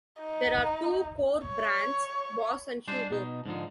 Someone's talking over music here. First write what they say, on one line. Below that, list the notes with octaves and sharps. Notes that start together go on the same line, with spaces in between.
There are two core brands, Boss and Hugo.
D#4
C#5
G3 G#3 D4 C5
B2 D#4
G#2 D3 F3 D#4